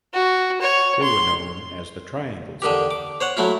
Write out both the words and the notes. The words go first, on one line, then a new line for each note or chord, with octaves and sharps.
They were known as the "Triangle Sound".
F#4
C#5
C6
D3 D#3 G4
D6
C5 C#5 F#5
F#3 A3 E4 F4